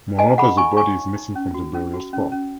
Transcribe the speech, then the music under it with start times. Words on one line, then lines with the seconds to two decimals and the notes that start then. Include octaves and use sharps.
Moreover, the body is missing from the burial spot.
0.19 D#4 D#5 G#5
0.38 G#4 F#5 B5
0.57 D#4 G#5 C#6
0.77 C#5 G#5 C#6
0.97 D#4
1.16 D#4
1.35 C#4
1.54 F#4
1.74 C#4
1.94 F#4
2.13 C#4
2.32 C#4